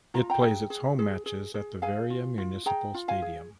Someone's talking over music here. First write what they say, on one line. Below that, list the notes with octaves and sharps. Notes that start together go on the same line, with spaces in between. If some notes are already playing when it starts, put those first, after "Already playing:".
It plays its home matches at the Veria Municipal Stadium.
F4 A#5
G5 A#5
G#4
G#4
G#4
G#4
G#4
G#4 F5 G#5
F4
F4
G#4 G5 A#5
F4
F5 G#5
G#4